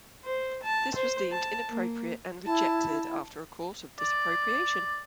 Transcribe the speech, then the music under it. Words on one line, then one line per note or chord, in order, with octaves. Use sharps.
This was deemed inappropriate and rejected, after a "chorus of disapprobation".
C5
A5
C5
A5
A#3
E4 A5
D5